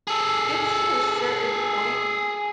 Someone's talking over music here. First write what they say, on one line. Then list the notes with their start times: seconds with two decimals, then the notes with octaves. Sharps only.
gets to a certain point
0.07 G#4 A4